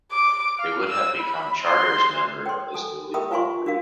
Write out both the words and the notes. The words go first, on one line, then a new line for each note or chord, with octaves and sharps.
They would have become charters member of this newly formed league.
D6
F5
E6
B5
C6
G5 C6
A4 G#5
G4 A#4 E5 G5 B5 D#6
F4 B4 F5 G#5 C6 C#6
D4 F#4 A#4 F5